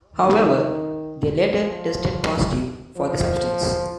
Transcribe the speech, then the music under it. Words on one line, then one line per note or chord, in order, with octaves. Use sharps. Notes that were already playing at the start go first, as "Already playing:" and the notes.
However, they later tested positive for the substance.
D#3
F3
F3